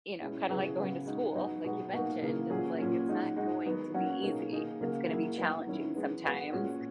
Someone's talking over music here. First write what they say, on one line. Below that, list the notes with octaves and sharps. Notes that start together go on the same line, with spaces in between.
you know, kinda, like, going to school, like you mentioned, it's like, it's not going to be easy. It's gonna be challenging sometimes.
B2 G#3 C#4 E4
C#3 F#3 B3 E4 G#4
C#3 F#3 B3 F#4
G#3 D#4 F#4
F#3 B3 D#4 F#4
B2 G#3 B3
B2 A#3 D#4 F#4
C#3 E3 A#3
A#2 F#3 C#4 G#4
A#2 F#3 C#4
G#3 D#4 F#4
G#3 D#4 F#4
D#3 F#3 B3
F#3 A#3 C#4 F#4
B2 A#3 D#4 G#4
D#3 A#3 D#4 G#4
C#3 F#3 A#3
F#3 A#3 E4 G#4
F#3 B3 E4
D#3 F#3 C#4 E4
E3 G#3 B3
G#3 B3 F#4
A#2 G#3 C#4 F#4